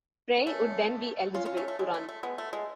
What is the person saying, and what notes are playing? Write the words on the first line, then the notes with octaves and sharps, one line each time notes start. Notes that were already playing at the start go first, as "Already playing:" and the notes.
Frei would then be eligible to run.
A3 C#4
C#4 F4
C#4 F4
A3 C#4
A3
G#3
A3
A3
G#3 B3
A3
G#3